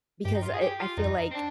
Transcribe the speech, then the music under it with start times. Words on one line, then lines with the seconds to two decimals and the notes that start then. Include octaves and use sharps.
because, uh, eh, I feel, like,
0.25 G2 G4
0.34 D#4
0.42 F4
0.54 G#4
0.61 G4
0.79 F4
0.97 F2 D#4
1.31 C4
1.34 D4